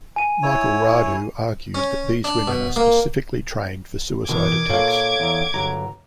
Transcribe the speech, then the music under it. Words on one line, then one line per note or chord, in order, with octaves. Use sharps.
Michael Radu argued that these women are specifically trained for suicide attacks.
G#5 D#7
E4 C#5
C#4
D4
B2
A#3
B2 D#3 E3 D6 G#6
A#2 A4 C#5 F5
E2 A#5
G1 F#3 A#5